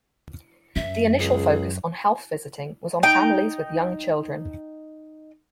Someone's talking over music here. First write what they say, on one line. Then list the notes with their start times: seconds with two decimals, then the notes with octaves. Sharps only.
The initial focus of health visiting was on families with young children.
0.76 F#2 E5
1.19 C#2 G#4
3.03 D#4 G5